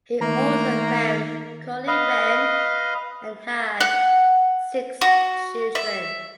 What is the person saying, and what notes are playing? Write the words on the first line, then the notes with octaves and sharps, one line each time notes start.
He also married Colleen Wren and had six children.
D#3 A3 A#3 A#5
B4 D#5 F5
F#5
F#4
E5